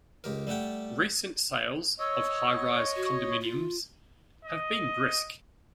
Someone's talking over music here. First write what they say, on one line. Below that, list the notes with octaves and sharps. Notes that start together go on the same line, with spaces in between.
Recent sales of high-rise condominiums have been brisk.
C#2 G4 A#4
G3 A3 G4 F#5 G5
C#5 D#5 E6
F#4
F4
D#5